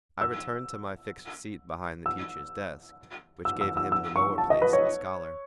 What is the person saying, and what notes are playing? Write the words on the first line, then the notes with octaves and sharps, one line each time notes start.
I returned to my fixed seat behind the teacher's desk, which gave him the lower place of a scholar.
E6
E6
E6
E6
E6
E6
C#6
A5
D#5
B4
C#5